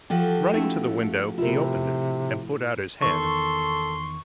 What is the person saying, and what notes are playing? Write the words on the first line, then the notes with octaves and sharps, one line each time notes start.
Running to the window, he opened it, and put out his head.
F3 F#4 G4 A4
A3 C#4 D#4 E4 E5
A2 C3 E4 F4 A#4
E2 D#3 A4 C6 C#6